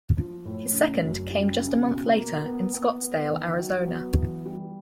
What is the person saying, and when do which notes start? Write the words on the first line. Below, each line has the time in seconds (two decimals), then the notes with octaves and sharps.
His second came just a month later in Scottsdale, Arizona.
0.17 F3
0.45 A2
0.73 C#3
1.02 F#2
1.30 G3
1.59 C#3
1.88 B2
2.16 A#3
2.46 B3
2.74 B3
3.02 B3
3.31 D#3
3.59 F#3
3.87 B3
4.17 E3
4.45 G3